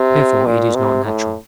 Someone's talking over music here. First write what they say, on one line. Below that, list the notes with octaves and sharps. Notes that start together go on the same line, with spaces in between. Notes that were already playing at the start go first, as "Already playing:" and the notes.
Therefore it is not natural.
Already playing: C3
A#2
C3
A2